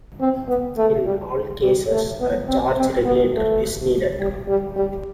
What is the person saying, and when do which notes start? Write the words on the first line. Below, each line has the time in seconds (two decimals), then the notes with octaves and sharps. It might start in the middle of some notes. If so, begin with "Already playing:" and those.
In all cases, a charge regulator is needed.
0.20 C4
0.48 B3
0.77 A3
1.05 G3
1.63 G3
1.92 A3
2.20 B3
2.48 C4
2.77 C4
3.05 B3
3.34 A3
4.19 G3
4.48 G3
4.76 G3